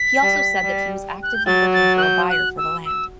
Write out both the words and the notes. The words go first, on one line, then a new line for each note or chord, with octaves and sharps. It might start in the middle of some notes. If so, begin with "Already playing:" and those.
He also said that he was actively looking for a buyer for the land.
Already playing: B6
G3
G3
F#6
G6
F#3 A6
A6
F#6
G6
F#6
E6
E6